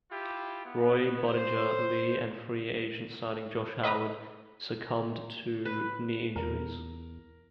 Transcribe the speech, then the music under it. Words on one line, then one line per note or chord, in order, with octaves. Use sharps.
Roy, Budinger, Lee and free agent signing Josh Howard succumbed to knee injuries.
E4 F4 G4
B3
C5
B4 D#5 A#5 B5
B4
E2 A#4